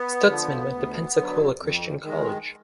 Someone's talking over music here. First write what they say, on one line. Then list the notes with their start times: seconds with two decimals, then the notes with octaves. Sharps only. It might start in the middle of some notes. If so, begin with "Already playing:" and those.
Stutzman went to Pensacola Christian College.
Already playing: B3
0.27 D3 F3
0.71 D2
1.15 D3 F#3
1.59 F2
2.03 D#3 G#3